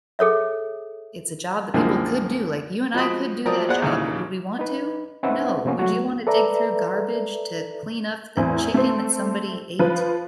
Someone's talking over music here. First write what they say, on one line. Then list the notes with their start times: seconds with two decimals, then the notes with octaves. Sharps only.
it's a job that people could do, like, you and I could do that job, but would we want to? No. Would you wanna dig through garbage to clean up the chicken that somebody ate?
0.19 G#4 A4 C#5 E5
1.74 C2 F#2 D3 F3 G#3 A#3
2.94 F3 G#3 F#4 B5 D#6
3.46 F3 F#3 C4 A#4 D5 D#6
3.69 B3 G#4 C5 D5 F#5
3.82 A1 D#2 A#2 C#3
4.59 D#4 B4
5.23 C4 C#4 D#4 B4 E5 F#5
5.65 C3 F3 A#3 B3 C#4
5.79 F#3 A3 F#4
6.27 A4 B4 D5 E5 A#5
8.37 E2 A2 C4
8.74 A3 C4
9.79 F3 B4